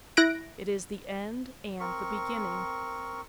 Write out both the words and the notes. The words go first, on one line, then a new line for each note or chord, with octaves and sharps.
It is the end and the beginning.
E4 F#6 A#6 D7
C4 A#4 C#6